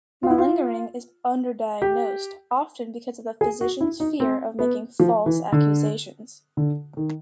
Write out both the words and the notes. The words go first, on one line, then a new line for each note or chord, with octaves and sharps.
Malingering is underdiagnosed, often because of the physician's fear of making false accusations.
F4
E4
F4
G4
G#4
F#4
E4
D#4
C4
B3
F3
E3
D3
D3
D#3